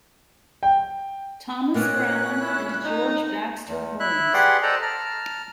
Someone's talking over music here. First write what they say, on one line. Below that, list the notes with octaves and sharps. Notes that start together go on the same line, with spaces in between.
Thomas Brown and George Baxter Holmes.
G5
A#2 A#3 B3 C#4 D#5 F#6
E4
D#4
E2
E4 E5 F#6
G4 G#4 B4 D5 F#5 C6
A4 C5 D5 D#5 A5 A#5
A5 A#5 F6